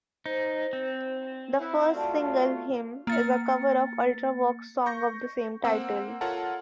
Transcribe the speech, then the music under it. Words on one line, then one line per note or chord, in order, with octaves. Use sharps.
The first single "Hymn" is a cover of Ultravox song of the same title.
D#4 C5
C4
E4 F#5
A3 F4 F#4 D5 A5
A#3 A6 C#7
C#6 G6 A#6
A#3 C4 F#5 E6
F4 A4 A#4 C#5 F#5 A5